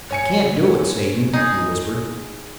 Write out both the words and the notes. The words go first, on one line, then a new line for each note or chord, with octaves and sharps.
"I can't do it, Satan," he whispered.
C#5 G#5 C#7
D#4 G#4